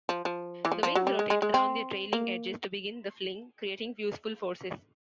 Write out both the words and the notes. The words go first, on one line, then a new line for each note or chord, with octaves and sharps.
The wings rotate around their trailing edges to begin the "fling", creating useful forces.
F3
F3
E3
F3
F3
F#3
G3
G#3
G#3
G#3
C4
A#3